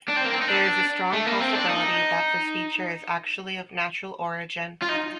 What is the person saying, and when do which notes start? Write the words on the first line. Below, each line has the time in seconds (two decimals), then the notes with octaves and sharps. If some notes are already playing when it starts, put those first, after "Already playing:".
There is a strong possibility that this feature is actually of natural origin.
0.08 D4
0.16 C4
0.25 A#3
0.33 C4
0.41 D#4
0.48 D4
1.13 A3
1.27 A#3
1.40 C4
1.55 D4
1.69 D#4
4.82 F4
4.89 D#4